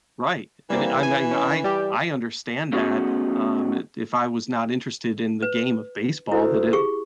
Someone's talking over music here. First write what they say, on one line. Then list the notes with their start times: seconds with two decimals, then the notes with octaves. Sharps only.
right, and I mean, I I understand that, um, i if I was not interested in the game of baseball, that it
0.70 E3 G3 A#3 C4
1.03 G#5
1.31 C#4
1.64 G3 G4
2.73 A3 B3 C#4 D#4 F#4 G#4
5.42 B4
6.32 D2 E4
6.73 G4 G#4 C#6